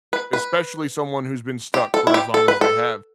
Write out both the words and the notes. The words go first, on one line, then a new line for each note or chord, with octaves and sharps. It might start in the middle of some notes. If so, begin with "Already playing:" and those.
especially someone who's been stuck for as long as they have.
B4
B4
G4
A4
E4
G4
A4
B4
A4